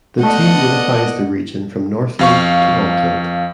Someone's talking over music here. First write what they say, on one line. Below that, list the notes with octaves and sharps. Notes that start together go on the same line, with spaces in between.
The team unifies the region from Northland to Auckland.
A3 B3 D5 D#5 F#5
F2 F5 C#6